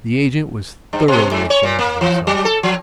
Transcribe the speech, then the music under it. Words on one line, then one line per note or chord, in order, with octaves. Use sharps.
The agent was thoroughly ashamed of himself.
G2
B2
G#2
C#5
A#2
A#3
E3
F#3
A4
F3